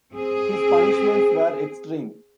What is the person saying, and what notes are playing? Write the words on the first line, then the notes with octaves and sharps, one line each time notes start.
His punishments were extreme.
C4 G#4